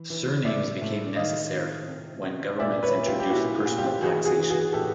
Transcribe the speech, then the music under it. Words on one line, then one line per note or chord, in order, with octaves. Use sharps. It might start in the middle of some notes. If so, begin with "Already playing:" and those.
Surnames became necessary when governments introduced personal taxation.
Already playing: E3
E3
A2 D5 E5
A2
D#3 D#5 F5
D#3
C3
C3
A#2 D5 E5
B4 C#5
A#2
F4 G4
G4
A#2 E4 F#4
A#2
F4 G4
E3 F#4 G#4
F#4 G#4
E3
F#4 G#4
A2 G4 A4